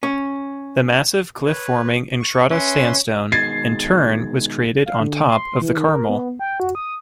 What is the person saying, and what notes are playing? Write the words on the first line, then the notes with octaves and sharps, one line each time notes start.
The massive cliff-forming Entrada Sandstone in turn was created on top of the Carmel.
C#4
B4 C#5
C#6
C#4 B4 E5 C6
B2 D#3 G#3 G#6 A6 C7
F5
D3
C6
E3
D#3
A#4
B3
G5
F#4
D#6